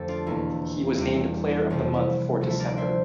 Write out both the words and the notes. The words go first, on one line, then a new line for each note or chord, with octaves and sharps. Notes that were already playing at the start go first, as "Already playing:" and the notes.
He was named Player of the Month for December.
Already playing: F2 D3 A3 G4 A4
D4 F4
E1 E2 E3 A#3 E4
E2 E3 G3 A#3
F1 F2 C3 E3 G3
E4
D2 D3 F3 A3
E5
A#4 D5
C5 E5